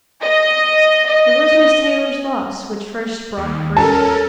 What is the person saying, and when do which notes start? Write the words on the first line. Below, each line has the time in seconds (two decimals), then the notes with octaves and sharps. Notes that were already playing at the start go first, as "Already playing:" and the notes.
It was Miss Taylor's loss which first brought grief.
0.21 D#5
1.07 D#5
3.37 D#2
3.77 C#4 A4 A#4 A5